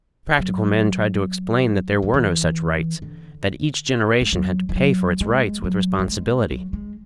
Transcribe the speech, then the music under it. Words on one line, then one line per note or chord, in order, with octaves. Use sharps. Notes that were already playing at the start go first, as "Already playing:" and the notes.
Practical men tried to explain that there were no such rights--that each generation had to pay for its rights with responsibility.
F#3
F#3
E3
D3
G#3
F#3
E3
F#3
G#3
F#3
F#3
G#3
F#3
G#3